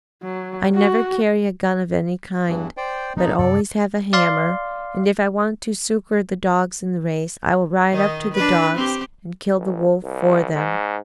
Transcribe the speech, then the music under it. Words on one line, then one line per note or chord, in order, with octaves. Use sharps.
I never carry a gun of any kind, but always have a hammer, and if I want to succor the dogs in the race, I will ride up to the dogs and kill the wolf for them.
F#3
F#4
E2 G2 E3
C5 D5 G5
G2 A#2 F3 C4 D#4
F#2 C3 A4 D5
D5 F5 C6
D#3 D#4
D4 B4
C4 G4
A1
C2
G#2